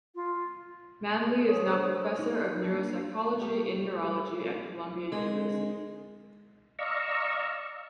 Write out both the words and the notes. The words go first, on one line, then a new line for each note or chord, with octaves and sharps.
Manly is now Professor of Neuropsychology in Neurology at Columbia University.
F4
D3 C5 C#5 D#6
D#4 F#4
A#3 D4
G3 A3 G4
D3 G#3 C4 G#4
D5 D#5 F5 A#5 C#6 E6